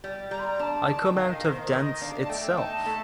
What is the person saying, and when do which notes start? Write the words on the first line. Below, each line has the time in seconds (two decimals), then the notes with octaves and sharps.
I come out of dance itself.
0.04 G3
0.31 G3 A#5
0.40 C6
0.48 A#5
0.59 D4 A5
0.88 D#3 A5
1.03 G5
1.16 D#3 F5
1.30 D#5
1.44 D#3 C5
1.58 A#4
1.73 D#3 D#5
2.01 D4 F5
2.23 A5
2.29 A3 G5
2.57 D#4 A5
2.86 A3